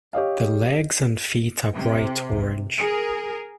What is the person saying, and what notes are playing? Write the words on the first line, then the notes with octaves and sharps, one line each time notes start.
The legs and feet are bright orange.
G4 C#5 D#5 F5
C3
G#4 A#4